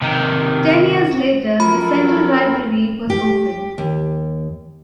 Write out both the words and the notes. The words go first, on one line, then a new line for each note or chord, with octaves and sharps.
Ten years later, the Central Library was opened.
C3 D#3
F#2 F3 F#3 E4 F#4 A4 A#4 B5
G4
D#2